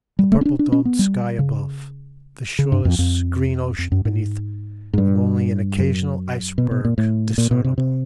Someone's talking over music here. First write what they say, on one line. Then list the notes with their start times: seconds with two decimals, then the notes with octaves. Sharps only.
The purple-domed sky above, the shoreless green ocean beneath, and only an occasional iceberg discernible!
0.19 G3
0.32 A3
0.41 C#4
0.45 D4
0.59 D4
0.72 C#4
0.85 B3
0.99 G3
1.39 C#3
2.59 C#3
2.72 G2
2.85 F2
2.99 F2
3.79 F2
3.92 F#2
4.05 G#2
4.93 G#2
4.98 G2
5.78 F#2
6.58 B2
6.71 B2
6.85 A#2
6.98 A2
7.38 A#2
7.51 B2
7.64 C3
7.78 C3